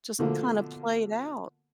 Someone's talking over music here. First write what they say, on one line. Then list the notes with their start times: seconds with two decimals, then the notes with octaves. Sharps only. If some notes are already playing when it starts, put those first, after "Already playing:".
Just kinda play it out.
0.19 B2 D3 F3 A3 A#3